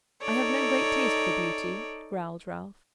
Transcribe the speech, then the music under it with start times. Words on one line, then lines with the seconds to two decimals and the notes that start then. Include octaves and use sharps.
'I have no great taste for beauty,' growled Ralph.
0.22 D#4 A4 C#5 D5